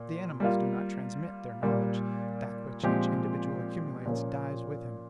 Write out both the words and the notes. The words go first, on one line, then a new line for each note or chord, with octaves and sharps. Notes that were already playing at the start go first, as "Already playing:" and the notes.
The animals do not transmit their knowledge; that which each individual accumulates dies with him.
Already playing: A#2
G3 A#3 F4
A#2 G3 A#3
A#2 F3 G#3 C4 G4
A#2 F3 A#3 C#4